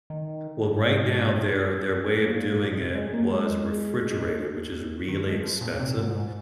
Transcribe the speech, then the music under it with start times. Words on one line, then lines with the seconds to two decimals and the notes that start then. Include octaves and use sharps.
well, right now, their their way of doing it was refrigerated, which is really expensive,
0.10 D#3
0.64 G#2
2.24 A#2
2.77 C3
2.95 G#3
3.13 A#3
3.30 G#3
5.08 D#3
5.26 G#3
5.44 F3
5.61 A#2
5.79 C3
5.97 G#2
6.15 G#2